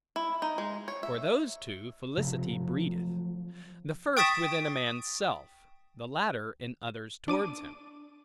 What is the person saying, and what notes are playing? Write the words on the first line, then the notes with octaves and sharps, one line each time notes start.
For those two, Felicity breedeth; the first within a man's self, the latter in others towards him.
E4
D#4
G#3
C#5
E5
C3 F3 F#3 A3
G5 C#6 D#6 A6 B6 E7
D4 D6 D#7